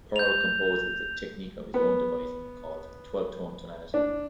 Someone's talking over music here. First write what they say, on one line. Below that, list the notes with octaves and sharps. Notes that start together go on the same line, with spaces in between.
Perle composed with a technique of his own devising called "twelve-tone tonality".
G6 F7
B3
D4